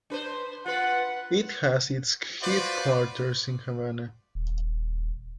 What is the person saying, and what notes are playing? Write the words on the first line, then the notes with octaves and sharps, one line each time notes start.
It has its headquarters in Havana.
D4 B4 C5
F4 B4 F#5
F4 F#4 B4 C5 D5
D#1